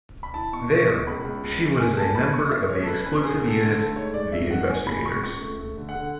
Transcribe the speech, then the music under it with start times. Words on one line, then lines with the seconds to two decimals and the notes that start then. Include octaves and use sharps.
There, she was a member of the exclusive unit "The Investigators".
0.23 B5
0.34 E4 A5
0.53 B2 C#6
0.71 E4 C#6
0.88 B2 C#6
1.07 C#2 B5
1.24 C#2
1.44 C#2
1.62 G#3
1.79 A3 G#5
1.97 B2 A5
2.15 A3 B5
2.34 B2 C#6
2.51 B2 E5
2.69 G#3 C#5
2.83 A4
2.88 B2 B4
3.06 C#4 B4
3.24 D3 G#4
3.42 D3
3.48 A4
3.60 D3
3.72 A4
3.78 A3
3.96 G#2 C#5
4.14 G#3 D5
4.32 G#2 E5
4.51 G#2 F#5
4.68 C#3 G#5
4.86 G#3 B5
5.05 C#2 C#6
5.23 C#2 C#6
5.41 A3
5.59 A3
5.77 D3
5.89 F#5
5.95 D3